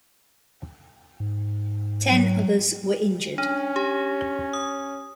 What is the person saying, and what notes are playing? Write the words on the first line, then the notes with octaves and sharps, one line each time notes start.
Ten others were injured.
G#2
F#3
C#4 D4
G4
D#6